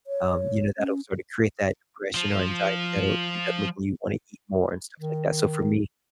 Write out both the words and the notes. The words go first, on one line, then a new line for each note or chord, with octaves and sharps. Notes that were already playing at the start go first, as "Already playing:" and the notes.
um, you know, that'll sorta create that depression or anxiety that'll end up making you wanna eat more and stuff like that. So, for me,
C#5
C#4
F3 F4
D#3